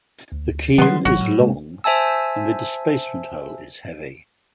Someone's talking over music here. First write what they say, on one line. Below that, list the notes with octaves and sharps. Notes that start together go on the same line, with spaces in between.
The keel is long and the displacement hull is heavy.
D2
D#3 F#3 G3 B3 C6
G#1 F#3 F#4
A2
C3 G#3 A#3
C5 E5 G#5 A5 E6